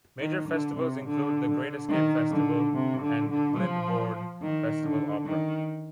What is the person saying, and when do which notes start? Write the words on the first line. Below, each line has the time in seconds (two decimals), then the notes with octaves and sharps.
Major festivals include The Great Escape Festival and Glyndebourne Festival Opera.
0.20 D#3
0.49 D3
0.77 C3
1.05 D3
1.47 D3
1.89 D#3
2.31 D3
2.74 C3
3.02 D3
3.30 D3
3.57 F3
4.42 D#3
4.84 D3
5.26 D#3